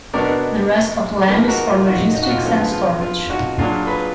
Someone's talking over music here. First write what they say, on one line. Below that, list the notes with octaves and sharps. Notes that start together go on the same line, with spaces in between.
The rest of land is for logistics and storage.
B2 G#3 B3 D4 A#4 D5
F3 A#3 D#4 G#4 B4
F#4 A#4
F4
D#4 F#4
D#4
D#4
F#4
F4
D3 F3 B3 F4
F4 G#4
F4
F4
D#4 F#4
A#2 F#3 D4 F4 G#4
G#4 B4